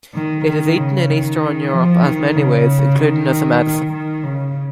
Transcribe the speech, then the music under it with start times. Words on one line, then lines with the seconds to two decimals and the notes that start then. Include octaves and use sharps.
It is eaten in Eastern Europe in many ways including as a medicine.
0.14 D#3
0.46 D#3
0.77 C#3
1.10 D#3
1.72 F3
2.03 D#3
2.35 C#3
2.98 D#3
3.93 D#3
4.24 C#3